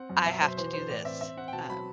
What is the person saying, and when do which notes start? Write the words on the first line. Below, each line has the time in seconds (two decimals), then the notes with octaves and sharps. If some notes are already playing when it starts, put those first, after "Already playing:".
I have to do this. Um,
Already playing: C4 F#5
0.09 F#2
0.25 B2 E5
0.41 B2 C5
0.57 E3 C5
0.73 E3 C5
0.89 A2 D5
1.05 C4 E5
1.21 C4 E5
1.37 C4 F#5
1.48 G5
1.53 B2 A5
1.69 F#3 B5